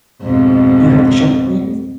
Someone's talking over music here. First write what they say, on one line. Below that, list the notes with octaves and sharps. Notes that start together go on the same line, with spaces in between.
you have the shotguns?
F2 G#2 B2